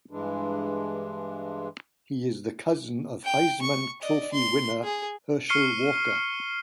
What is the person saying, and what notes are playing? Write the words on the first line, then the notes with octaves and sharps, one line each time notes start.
He is the cousin of Heisman Trophy winner Herschel Walker.
G2 E3 G#3 D4
G5
C#6
D5 D#5
C6
G#4
C#6 F6 C7 C#7 D#7 G7